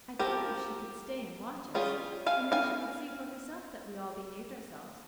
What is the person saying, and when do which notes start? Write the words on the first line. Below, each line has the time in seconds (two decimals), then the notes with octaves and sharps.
I told her she could stay and watch us, and then she would see for herself that we all behaved ourselves.
0.19 F3 C4 G4 A#4
1.74 G3 C#4 F4 G#4
2.26 F5 G#5
2.52 F5 G#5